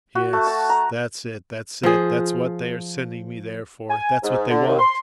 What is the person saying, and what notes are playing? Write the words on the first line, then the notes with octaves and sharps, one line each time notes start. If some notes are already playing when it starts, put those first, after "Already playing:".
Yes, that's it, that's it, that's what they are sending me there for, that's what they want.
F#4
A3
A5
A#5
F3 G#4
G#5
G#2
D3
D#2
C6